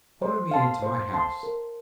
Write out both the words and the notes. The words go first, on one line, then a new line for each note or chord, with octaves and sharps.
Follow me into my house.'
C5
F5 A5 C6
C5
F5 A5 C6
A#4